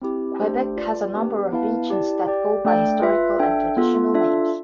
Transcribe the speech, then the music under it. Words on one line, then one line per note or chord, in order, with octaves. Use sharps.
Quebec has a number of regions that go by historical and traditional names.
C4 E4 G4
A3 D4 G4 C5
F4 B4 D5
B3 D4 G4 B4
B3 E4 B4 F5 A5
E4 G4 D5 A5
G4 D5 G5
A3 D4 A4 D5 G5
F4 B4 E5
D4 A4 E5 G5
B3 F4 A4
D4 F4 A4 E5